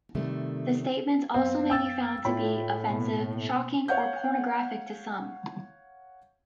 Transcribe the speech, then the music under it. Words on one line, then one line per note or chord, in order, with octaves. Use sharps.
The statements also may be found to be offensive, shocking, or pornographic to some.
C3 D#3 G3 A3
F#2 B3 C4 F5
G5 E6 A6
A2 F4 C#5 G5 B5
B2 A#3 B3
C#5 F5 F#5 G6